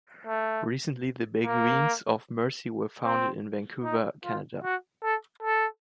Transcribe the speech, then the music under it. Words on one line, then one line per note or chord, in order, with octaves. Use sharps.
Recently, the Beguines of Mercy were founded in Vancouver, Canada.
A3
A#3
C4
D#4
F4
F#4
A4
A4